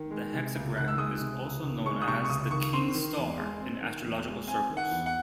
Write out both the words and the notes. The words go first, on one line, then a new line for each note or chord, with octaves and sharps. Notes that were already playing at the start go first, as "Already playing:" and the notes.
The hexagram is also known as the "King's Star" in astrological circles.
Already playing: D#3
G#3
C3
C#2
D#3 F#6
E6
G#3 D#6
C3
C#2
D#3
G#3 C#6
D#6
C3 C#6
C#6
C#2 D#6
D#3 C#6
C4 C6
D#3
E2
G#3
C4
D#3
E2
G#3
C4 G#5
D#3
F#5
E2
F#5